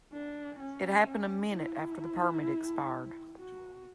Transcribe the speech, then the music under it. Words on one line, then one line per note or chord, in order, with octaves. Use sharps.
It happened a minute after the permit expired.
D4
C#4
C#4
E4
F#4